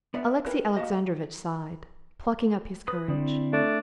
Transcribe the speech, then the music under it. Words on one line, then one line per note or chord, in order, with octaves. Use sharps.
Alexey Alexandrovitch sighed, plucking up his courage.
B3 D5 E5 F#5
C4 E4 A#4 B4
A#3 F#4 G4 D#5
B4 D#6
D3 C4 E4 D5
A3 D4